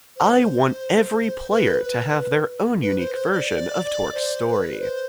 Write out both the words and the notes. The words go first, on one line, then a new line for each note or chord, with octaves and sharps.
I want every player to have their own unique version of Torque's story.
C5
B4
B4
B4
C5
C5
D5
C5
B4
C5